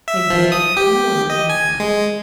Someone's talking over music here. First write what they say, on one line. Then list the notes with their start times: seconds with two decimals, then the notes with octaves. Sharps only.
They begged, but no one would help them.
0.08 E5
0.30 F3
0.52 D#6
0.77 G4
1.30 D#5
1.49 G#5
1.80 G#3